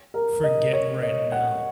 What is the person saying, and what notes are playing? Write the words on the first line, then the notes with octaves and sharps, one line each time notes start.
forget right now.
A#4
D#5
C#5
D#5
F#5